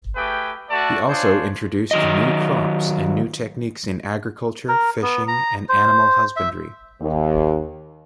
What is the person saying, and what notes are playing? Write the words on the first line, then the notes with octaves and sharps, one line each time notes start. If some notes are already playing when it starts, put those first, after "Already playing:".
He also introduced new crops and new techniques in agriculture, fishing, and animal husbandry.
A3 G4 G#4 B4 G5
A3 F#4 A4 D5 A5
D4 F4 G#4 C5 C#5
D#3 F#3 D#5
A#4
B3
A#5
C5
E5
D#2